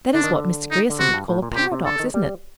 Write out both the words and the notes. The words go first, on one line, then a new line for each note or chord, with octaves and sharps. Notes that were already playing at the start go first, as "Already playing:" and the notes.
That is what Mr. Grierson would call a paradox, isn't it?
D3 D4
D#3
D3
D#4
D3
C3 F#4
G2
A2
A#2
A#2
C3 G4
C3
D3 A4
D#3
G3